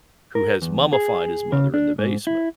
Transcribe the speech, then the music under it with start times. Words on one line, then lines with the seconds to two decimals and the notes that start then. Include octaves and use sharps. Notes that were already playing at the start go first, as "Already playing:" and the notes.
who has mummified his mother in the basement,
0.35 A#4
0.62 E2
0.93 G#4
1.52 C#3
1.74 D4
1.99 G#2
2.27 E4